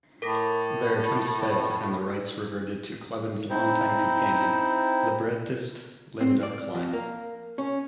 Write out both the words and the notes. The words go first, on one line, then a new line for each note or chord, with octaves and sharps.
Their attempts failed and the rights reverted to Kleban's longtime companion, librettist Linda Kline.
A2 A4 A#4 A#6
C4 D#4 E4 C5
C4
D5
F2
A#3
C#4